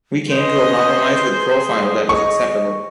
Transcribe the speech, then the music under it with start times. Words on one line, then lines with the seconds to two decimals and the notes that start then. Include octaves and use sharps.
We came to a compromise with Profile that was acceptable.
0.31 C#4 B4 C5 D#5
1.20 G#4
2.09 D#5 C#6